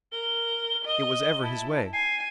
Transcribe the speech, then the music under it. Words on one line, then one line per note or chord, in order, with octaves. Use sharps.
"It was ever his way."
A#4 G7
D#5
E4 A5
G#5 C7